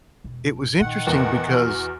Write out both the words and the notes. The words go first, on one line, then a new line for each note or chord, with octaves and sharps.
it was interesting because
E1
A#2 D#3 F#5
E2 A#4
F#4 F6